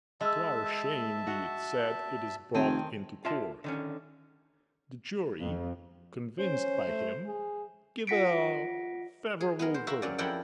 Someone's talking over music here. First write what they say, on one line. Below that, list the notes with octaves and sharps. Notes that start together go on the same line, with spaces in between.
To our shame be it said, it is brought into court.' The jury, convinced by him, give a favorable verdict.
G#3 D#5 E5 A5 E6
F#4
F1 D#3 C4 G#5 A5 D#7
F4 E5 A5
D3 D#3 C#4
F2
C#4 C5
A3
G#4
F4 F#5 A#6 B6 C#7 D7
G#4
B3 G#4 A#4
C5
F#4 A#4 E5 F5
F#2 C#4 D5
F2 F3 E4 A#4 F#5 G5